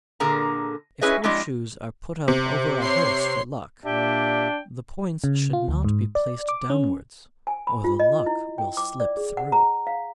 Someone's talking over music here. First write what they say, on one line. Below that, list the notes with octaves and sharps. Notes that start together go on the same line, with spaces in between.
If horseshoes are put up over a house for luck, the points should not be placed downwards, or the luck will slip through.
A#2 D3 G#4 A#4 A#5
C#4 E4 G#4 B4 C#5 D#5
F2 G#3 D4 E4 G4 D#5
C3
C#5 C6 C7
A#2 D4 G4 E5 G5
C#3
F4
D2
G#2
D5
D6
C#4
G#5
B5
F4
D#5
E4
G5
D6
D5
G#4
F#5
A#5
F5